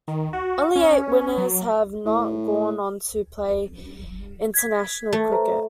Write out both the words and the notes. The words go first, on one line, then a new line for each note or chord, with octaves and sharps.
Only eight winners have not gone on to play international cricket.
D#3
F#4
C#4
F#3
A2
G#6 B6
A3
B4 C5 A#5